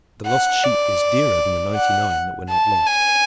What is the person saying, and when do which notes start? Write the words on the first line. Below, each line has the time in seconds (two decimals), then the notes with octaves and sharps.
The lost sheep is dearer than ninety-nine that were not lost.
0.26 F#5
0.64 D5
1.75 F#5
2.50 A5
2.87 G#5